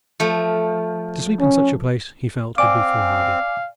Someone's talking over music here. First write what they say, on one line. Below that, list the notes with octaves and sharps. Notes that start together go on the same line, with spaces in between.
To sleep in such a place, he felt, would be foolhardy.
F3 A3
C#4
C4 D5 F5 G#5 D6